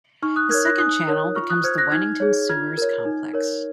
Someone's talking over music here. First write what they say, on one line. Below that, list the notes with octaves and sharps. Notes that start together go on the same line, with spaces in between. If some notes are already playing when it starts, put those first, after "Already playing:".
The second channel becomes the Wennington Sewers complex.
D#4 C#6 F6
D#6 F#6
A#4 C#5 F6 G#6
F#6 A#6
D#4 D#6 F#6
A#4 C#5
F4 C#6 F6
D#6 F#6
C5 F6 G#6
F#6 A#6
D#4 F6 G#6
G#4 C#5
F4 F6 G#6
A#4 C#5
D#4
A#4 C#5